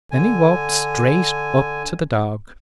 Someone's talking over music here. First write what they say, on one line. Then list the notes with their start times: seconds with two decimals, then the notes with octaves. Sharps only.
Then he walked straight up to the dog.
0.11 D3 G#5